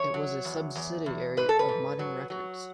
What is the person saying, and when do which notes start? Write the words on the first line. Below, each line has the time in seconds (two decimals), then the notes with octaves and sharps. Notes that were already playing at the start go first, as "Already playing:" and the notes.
It was a subsidiary of Modern Records.
Already playing: E2 C#5
0.14 F#3
0.45 E2
0.75 E2
1.06 E2
1.37 G#2 B4
1.49 A4
1.59 B4
1.69 G#2
1.99 F#3
2.30 F#3